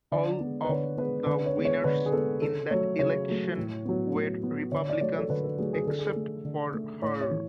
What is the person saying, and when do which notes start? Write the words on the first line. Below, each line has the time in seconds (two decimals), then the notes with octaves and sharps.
All of the winners in that election were Republicans except for her.
0.12 D3 D5
0.40 G#3 B3
0.64 B4
0.69 D3 C#5
0.98 G#3 B3 B4
1.26 D3 B4
1.46 C#5
1.55 G#3 B3
1.65 C#5
1.84 D3 B4
2.06 G#4
2.13 G#3 B3 A4
2.42 C#3 A4
2.71 F#3 A3 C#5
2.99 C#3 C#5
3.28 F#3 A3
3.58 A2
3.85 F#3 B3
4.15 A2
4.43 F#3 B3
4.72 D3 C#5
4.89 D5
5.01 F#3 A3 C#5
5.19 A4
5.30 D3 B4
5.44 A4
5.58 F#3 A3 G#4
5.73 G#4
5.87 D3 A4
5.99 G#4
6.09 A4
6.16 A3
6.45 D3
6.74 A3
7.02 A2 C#5
7.21 C#5
7.31 E3